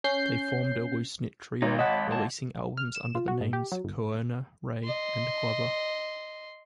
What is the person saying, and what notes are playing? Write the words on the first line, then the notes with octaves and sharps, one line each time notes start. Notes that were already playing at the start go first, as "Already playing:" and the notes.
They formed a loose-knit trio, releasing albums under the name Koerner, Ray and Glover.
C#4 G6 C7
G#1 D#4 C#5
D#5 F#5 A5 B5
G#3 A5
F6
E7
F4
F#4
G#2
G4
F#3
G1
D#5 C6